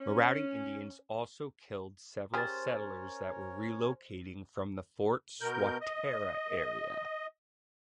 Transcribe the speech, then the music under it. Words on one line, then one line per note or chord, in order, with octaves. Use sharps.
Marauding Indians also killed several settlers that were relocating from the Fort Swatara area.
C#4
C#4 G4 G#4 A#4 C5 C#5 F6 A6
B2 A#4 G6
D#5